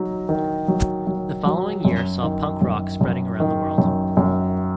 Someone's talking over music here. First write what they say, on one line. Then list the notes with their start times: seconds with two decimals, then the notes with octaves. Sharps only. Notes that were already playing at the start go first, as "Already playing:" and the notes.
The following year saw punk rock spreading around the world.
Already playing: F#3 D#4
0.29 D#3
0.68 F#3
1.07 F#3
1.46 F#3
1.85 F#2
2.23 D#3
2.62 F#2
3.01 F#2
3.40 D#3
3.78 F#2
4.17 F#2